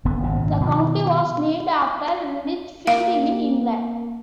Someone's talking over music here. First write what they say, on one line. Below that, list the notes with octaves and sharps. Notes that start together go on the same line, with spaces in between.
The county was named after Lichfield, in England.
D#1 D3 B3
G#1 A#2 C#3
B2 D#3 F3
A#3 F5